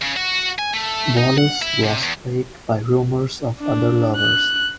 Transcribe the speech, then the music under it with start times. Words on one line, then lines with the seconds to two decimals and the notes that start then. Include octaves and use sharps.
Wallis was plagued by rumours of other lovers.
0.02 C#3
0.17 F#4
0.59 G#5
0.74 A3
1.17 D#4
1.38 F#5
1.62 E4
1.83 C3
2.02 E2
3.60 D4
4.16 F#6